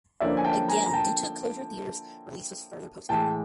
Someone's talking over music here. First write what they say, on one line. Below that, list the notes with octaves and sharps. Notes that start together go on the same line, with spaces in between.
Again due to closure of theaters release was further postponed.
D3 F3 A#3 C#4 E4 D5 E5
G#5
G5 A5
G#5 A#5
A#5
G5 A5
A2 E3 G#3 G5 A5